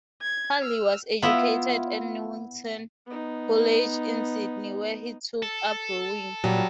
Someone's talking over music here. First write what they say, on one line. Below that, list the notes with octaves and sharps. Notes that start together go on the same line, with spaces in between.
Hardy was educated at Newington College in Sydney where he took up rowing.
G#6
E6 F6
B3 E4 F4 E5
B3 D#4
A4
A#2 F#3 G3